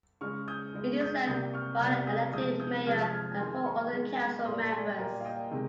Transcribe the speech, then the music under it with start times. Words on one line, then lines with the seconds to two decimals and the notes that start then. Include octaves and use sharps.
It is led by an elected mayor and four other council members.
0.21 C#3 G#3 C#6 F6
0.48 D#6 G6
0.74 C#3 G#3
1.01 D#6 G6
1.27 C3 G3 A#3 D#6 G6
1.54 C#6 F6
1.80 C3 G3 A#3 D#6 G6
2.07 D#6 G6
2.33 C3 F3 G#3 D#6 G6
2.60 D#6 G6
2.86 C3 F3 G#3 F6 G#6
3.13 F6 G#6
3.39 D#3 G#3 G#5 C6
3.66 A#5 C#6
3.93 D#3 G#3
4.45 A#2 G3 A#3 C6 D#6
4.72 G#5 C6
4.99 A#2 G3 A#3 G5 A#5
5.21 F5
5.25 D#5 G5
5.51 C3 D#3 G#3